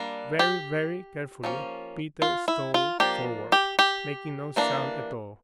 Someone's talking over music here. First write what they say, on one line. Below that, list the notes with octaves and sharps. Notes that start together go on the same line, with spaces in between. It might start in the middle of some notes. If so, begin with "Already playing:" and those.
Very, very carefully Peter stole forward, making no sound at all.
Already playing: G3 A#3 D4
G4
F3 A#3 C#4
F4
E4
F4
F3 A#3 D4 G4
G4
G4
E3 A#3 D4